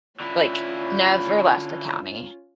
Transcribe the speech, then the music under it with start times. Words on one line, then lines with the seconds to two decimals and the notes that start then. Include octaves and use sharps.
Like, never left the county.
0.20 D3 C#4 E4 F4